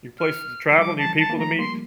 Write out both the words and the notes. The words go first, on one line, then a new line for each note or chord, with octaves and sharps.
new places to travel, new people to meet.
F6
F3
E3 G3 D6
A5
A5
A#3
F3 A3 A#5
G3 A#3 C6